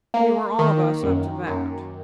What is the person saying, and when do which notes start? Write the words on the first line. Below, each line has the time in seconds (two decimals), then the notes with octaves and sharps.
We were all of us up to that.
0.14 A#3
0.59 D#3
1.03 F#2
1.47 F#2